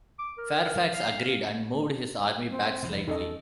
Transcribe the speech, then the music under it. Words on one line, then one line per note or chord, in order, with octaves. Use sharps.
Fairfax agreed, and moved his army back slightly.
D6
A#4
F5
C4
F1 F2 E3
E2 A3 C#4 D#4 A4 D#5